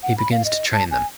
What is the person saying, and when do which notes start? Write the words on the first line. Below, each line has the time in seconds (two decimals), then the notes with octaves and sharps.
He begins to train them.
0.03 F#5
0.18 B5
0.32 F5
0.45 D#5
0.73 A5
0.91 G#5